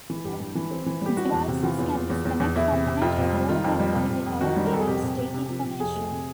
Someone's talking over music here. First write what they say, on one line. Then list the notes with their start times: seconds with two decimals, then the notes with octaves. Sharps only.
Devices can disconnect from the network automatically without leaving state information.
0.10 E3
0.24 G2 G4
0.40 G2
0.55 E3
0.71 C4
0.86 E3
1.01 G3 G4
1.17 E3 F#4
1.32 E2
1.48 C3
1.63 E3 F4
1.79 E2
1.95 E2
2.10 E2
2.25 E2
2.40 E2
2.56 E2 E4
2.72 C3
2.86 C3
3.02 F2 F4
3.18 C3
3.33 G3
3.49 D#3 F4
3.64 F2
3.80 G3
3.95 C3
4.10 C3
4.26 F2
4.41 D#3 F#4
4.57 G3
4.66 A#4
4.72 F2 A4
4.80 G#4
4.87 C3 G4
5.03 C3
5.18 C3
5.34 C3
5.49 F3
5.64 C3
5.80 F2 G#4
5.96 A3
6.11 C3